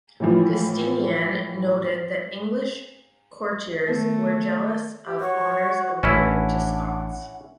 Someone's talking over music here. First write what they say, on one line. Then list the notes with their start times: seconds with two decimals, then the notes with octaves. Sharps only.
Giustinian noted that English courtiers were jealous of honours awarded to Scots.
0.20 A2 E3 F3
3.88 D#3 A3 B3 A#4
5.07 G4
5.20 F#4 C#5
6.03 A1 C#4 D4 E4 F#5